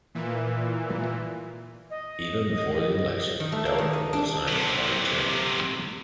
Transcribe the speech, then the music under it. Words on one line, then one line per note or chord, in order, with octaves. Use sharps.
Even before the election Dehler was assigned as party chairman.
A#2 E3
D#5
D#3
A3
A#3
D#3
D#5
D4
C3 F#3